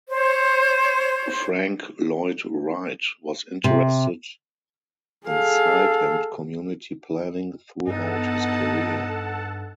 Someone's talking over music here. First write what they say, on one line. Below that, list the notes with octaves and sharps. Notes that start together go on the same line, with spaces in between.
Frank Lloyd Wright was interested in site and community planning throughout his career.
C5 C#5
C3
G#4 A4 F5
G2 B3 D#4 A4 F#5 A5